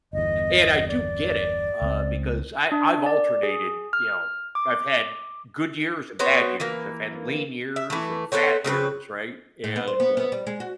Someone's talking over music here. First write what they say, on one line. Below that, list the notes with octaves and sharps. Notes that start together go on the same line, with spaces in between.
and I do get it, uh, because I I've alternated, you know, I've had good years and bad years. I've had lean years and fat years, right, and, uh,
G1 E2 D#5
D5
C#2 C4
D4
D5
G#4
F6
D6
B3 F#4 C5 C#5
E3 A#3
E5
E3 A3
B3 A4 C5 C#5
C#3 C4 A#4 B4
A2
B3
C5
B3
B3
G3
G#3
F#4